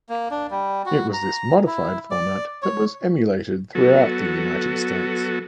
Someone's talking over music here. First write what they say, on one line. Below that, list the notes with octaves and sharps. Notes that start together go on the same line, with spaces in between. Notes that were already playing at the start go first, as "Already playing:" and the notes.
It was this modified format that was emulated throughout the United States.
A#3
D4
G3
F#4
A#5
E4
D5
C#5
F#3 B3 F#4 A4